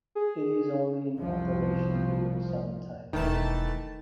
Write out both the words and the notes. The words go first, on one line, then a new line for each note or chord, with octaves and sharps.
It is only in operation during summer time.
G#4
C2 F2 F3
E1 D#3 E3 A3 A5